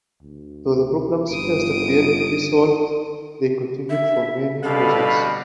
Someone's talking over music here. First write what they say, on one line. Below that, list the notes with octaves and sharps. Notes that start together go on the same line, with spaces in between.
Though the problems first appeared to be solved, they continued for many users.
D2
G1 D#6 D7
E5
B2 D3 G3 A4 B4 F5